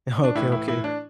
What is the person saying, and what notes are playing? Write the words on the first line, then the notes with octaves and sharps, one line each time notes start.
Okay, okay.
D4
A2 E3 E4
E4
E4
D4